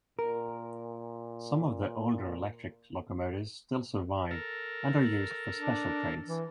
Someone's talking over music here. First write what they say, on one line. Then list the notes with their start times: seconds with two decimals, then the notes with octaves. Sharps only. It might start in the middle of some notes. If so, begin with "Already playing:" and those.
Some of the older electric locomotives still survive and are used for special trains.
0.19 A#2 A#4
4.31 A4 A#4
5.55 D4
6.27 E3